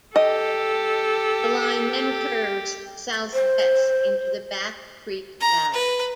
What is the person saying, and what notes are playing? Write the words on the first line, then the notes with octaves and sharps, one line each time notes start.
The line then curves southwest into the Back Creek valley.
G4 A4 D#5
C5
A#5
B4